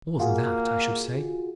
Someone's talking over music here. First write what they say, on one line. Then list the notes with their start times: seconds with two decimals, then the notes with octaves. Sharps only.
More than that, I should say.
0.20 A#3 F4 F#4 G#4